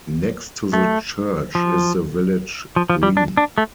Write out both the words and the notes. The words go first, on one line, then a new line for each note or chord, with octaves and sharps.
Next to the church is the village green.
A3
F3
F3
F3
G3
D4
D4
A3